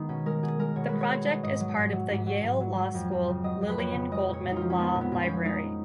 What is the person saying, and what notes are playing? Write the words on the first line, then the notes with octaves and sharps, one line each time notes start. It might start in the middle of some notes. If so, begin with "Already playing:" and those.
The project is part of the Yale Law School Lillian Goldman Law Library.
Already playing: D#3 G#3 B3 D#4
B2 C#4
G#3 A#4
B2 G#4
G#3 A#4
B2 C#5
G#3 B4
C#5
B2
G#3
G#2 D#5
F#3
G#2
F#3
G#2
F#3
G#2
F#3
F#3
F2
F2
C#3
F#3 D#5
F2
B4
F2 C#5
C#3
G#3 D#5
A#2 C#5
A#2
D#4 F4
F3
C#4
G#3 B3
A#2
B3
A#2
C#4
F3
G#3 D#4